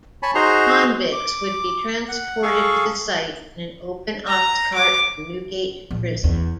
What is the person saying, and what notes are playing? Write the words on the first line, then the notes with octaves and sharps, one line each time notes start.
Convicts would be transported to the site in an open ox-cart from Newgate Prison.
C#5 G#5 A5 B5
D#4 F#4 G#4 C5 A#5 C6
D6
F#5
G#4 A4 F5 C#6
A#5
D6
A#1
E2